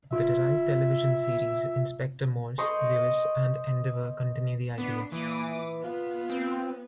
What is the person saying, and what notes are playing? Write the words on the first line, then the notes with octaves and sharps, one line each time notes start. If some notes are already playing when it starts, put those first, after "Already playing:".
The derived television series, "Inspector Morse", "Lewis" and "Endeavour", continue the idea.
F4 E5
C5 D#5 C6 C#6
B3 D4
A#2 E3 D6 D#6
B3 F4
C4